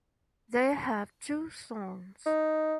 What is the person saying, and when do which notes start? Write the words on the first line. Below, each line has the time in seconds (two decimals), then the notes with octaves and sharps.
They have two sons.
2.26 D#4